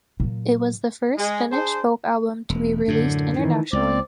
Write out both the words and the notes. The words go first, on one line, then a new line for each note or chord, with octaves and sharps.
It was the first Finnish folk album to be released internationally.
A#2 F#3
G#3
D4 G#4 C5
E1
F#2 A2 D3
D#3 E3
C#2 C4 D5